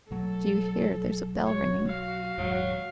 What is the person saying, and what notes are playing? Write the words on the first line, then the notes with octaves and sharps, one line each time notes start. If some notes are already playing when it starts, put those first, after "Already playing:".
Do you hear, there's a bell ringing?
B1 F#3 A3 A4
F#4 C#5
F5
D#1 G#2 F#3